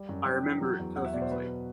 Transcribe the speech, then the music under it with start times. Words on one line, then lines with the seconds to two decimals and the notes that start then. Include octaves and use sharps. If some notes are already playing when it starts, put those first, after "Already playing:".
I remember it perfectly.
Already playing: G3
0.09 F#2
0.26 F#2 G5
0.43 E3
0.61 F#3
0.79 E2
0.96 E2 F#5
1.05 E5
1.14 B2 D5
1.22 C5
1.31 F#3 B4